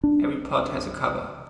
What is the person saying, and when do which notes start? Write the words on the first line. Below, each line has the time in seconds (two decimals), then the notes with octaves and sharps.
Every pot has a cover.
0.04 D4